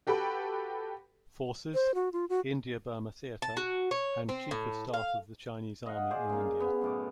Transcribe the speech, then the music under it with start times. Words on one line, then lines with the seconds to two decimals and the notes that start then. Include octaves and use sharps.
Forces, India-Burma Theater, and Chief of Staff of the Chinese Army in India.
0.07 F#4 G4 A4 B4 G5 B5
1.74 C5
1.95 F#4
2.13 F4
2.29 F#4
3.42 A5
3.57 F#4
3.91 C#5
4.29 C4
4.51 A2
4.94 F5
5.86 D#5 F5 F#5
6.10 G#4 C5 D5 F5
6.29 C#3 A#3
6.60 B3
6.82 F#2 A2 D6